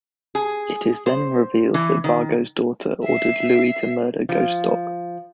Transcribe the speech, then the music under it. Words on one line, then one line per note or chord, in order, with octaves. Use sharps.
It is then revealed that Vargo's daughter ordered Louie to murder Ghost Dog.
G#4
C5
E3
D#3
E5 C7
F3